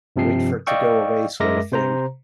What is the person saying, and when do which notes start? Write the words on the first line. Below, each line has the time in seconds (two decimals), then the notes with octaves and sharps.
wait for it to go away sorta thing.
0.16 G2 C3 F3 C4 C7
0.67 D5 D#5 F5 G5 C#6 E6
1.40 F#2 G#3 A#4 E5 D6 A#6
1.71 C3 C5 A#5